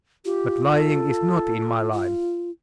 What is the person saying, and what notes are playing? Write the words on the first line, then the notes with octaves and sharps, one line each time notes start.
But lying is not in my line.
F4 G4
A4
F4